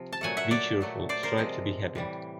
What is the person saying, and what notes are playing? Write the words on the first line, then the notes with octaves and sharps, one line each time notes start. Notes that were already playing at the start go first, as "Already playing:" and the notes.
Be cheerful. Strive to be happy.
Already playing: C3 F3
A5
A#2 F#3 A3 F#5 G#5
E5 F#5
D5 E5
A#2 F#3 A3
C5 D5
A#4 C5
C3 F3 G#3
A2 E3 G3